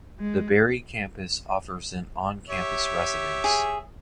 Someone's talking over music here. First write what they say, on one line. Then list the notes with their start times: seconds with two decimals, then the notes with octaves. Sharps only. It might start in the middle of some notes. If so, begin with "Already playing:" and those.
The Barrie Campus offers an on-campus residence.
0.19 G#3
2.50 G4 C#5 E5
3.44 G#4